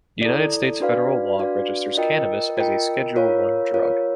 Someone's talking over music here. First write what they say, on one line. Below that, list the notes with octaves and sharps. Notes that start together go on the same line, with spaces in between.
United States federal law registers cannabis as a Schedule One drug.
E4 A4 D5
D4 F#4 B4 D5 F5
D4 F#4 B4 D5 F5
F4 A#4 D#5 G5
F4 A#4 D#5 G5
F4 A#4 C#5 F5
F4 A#4 C#5 F5